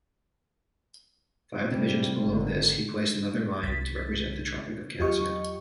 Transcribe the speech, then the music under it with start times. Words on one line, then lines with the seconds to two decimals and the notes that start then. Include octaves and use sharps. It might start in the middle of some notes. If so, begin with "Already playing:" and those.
Five divisions below this he placed another line to represent the tropic of Cancer.
1.71 C3 G3
2.26 G#1 D3
3.63 C2 A6 B6
4.99 E2 F#3 F4 G4 D#5 C#6